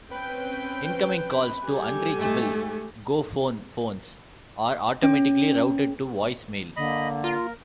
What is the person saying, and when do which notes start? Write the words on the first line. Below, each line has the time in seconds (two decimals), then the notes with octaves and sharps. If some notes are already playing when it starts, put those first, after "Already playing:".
Incoming calls to unreachable GoPhone phones are automatically routed to voice mail.
0.11 C4 C#4 B4 G5
1.65 G3 G4 A4 G#5
2.19 G#2 A3
5.03 C#4
6.77 D3 A#3 D#5 B5
7.24 F4 A#4